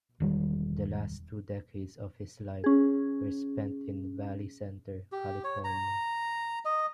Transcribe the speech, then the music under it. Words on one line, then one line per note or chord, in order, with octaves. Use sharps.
The last two decades of his life were spent in Valley Center, California.
E1 D#3 G3
C#4 G#4
G4
C#5
A#5
D#5